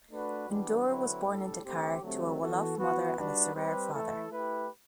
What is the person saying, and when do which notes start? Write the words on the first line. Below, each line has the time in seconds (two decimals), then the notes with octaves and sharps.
N'Dour was born in Dakar to a Wolof mother and a Serer father.
0.11 A3 D4 F#4 B4
0.49 E3 G3 B3 D4
0.87 D3 F#3 C4 E4 B4
1.26 A2 G3 D4 A4
1.63 D3 A3 C4 G4
2.02 D3 F#3 A3 C4 G4
2.40 E3 B3 F#4 A4
2.78 E3 B3 F#4
3.17 G3 D4 F#4 B4
3.54 G3 C4 G4 B4
3.93 E3 A3 E4 A4
4.31 A3 E4 G4 B4